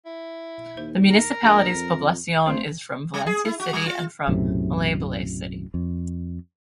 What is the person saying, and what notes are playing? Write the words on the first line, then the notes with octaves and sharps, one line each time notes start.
The municipality's Poblacion is from Valencia City and from Malaybalay City.
E4
D#2 C5
A#4
A#1 G#4 G5
F2
A#1 A3 C4 C5
G3
G#4
E4
F#4
G3
F4
B1 F#2 A2 C3
F2